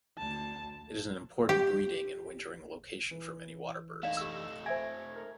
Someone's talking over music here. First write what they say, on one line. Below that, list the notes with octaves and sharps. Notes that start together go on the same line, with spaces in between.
It is an important breeding and wintering location for many waterbirds.
D2 A5
G4
E3
A3 D#4 D5 F5 E7
G4 E6
C5 E5 G#5 G#6 A#6
A#4 A#5